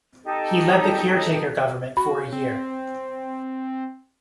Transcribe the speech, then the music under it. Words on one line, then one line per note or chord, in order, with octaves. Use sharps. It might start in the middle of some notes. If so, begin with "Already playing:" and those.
He led the caretaker government for a year.
D#4 G4 A4
F#4 B5
C4